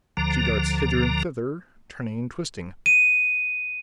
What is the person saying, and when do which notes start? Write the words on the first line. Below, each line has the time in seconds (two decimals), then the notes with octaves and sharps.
She darts hither and thither, turning and twisting.
0.17 D2 D3 F3 A#5
2.86 D#7